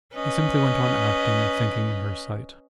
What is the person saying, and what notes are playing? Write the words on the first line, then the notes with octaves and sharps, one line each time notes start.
He simply went on acting and thinking in her sight.
C#4 B4 D#5